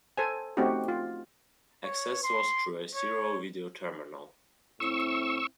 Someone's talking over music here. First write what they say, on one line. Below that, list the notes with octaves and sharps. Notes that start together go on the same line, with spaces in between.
Access was through a serial video terminal.
A4 C5 G#5
A3 C4 C#4 D#4 F#4 G4
F4
C#5
C6
C#5
A2 C4 E4 C#6 E6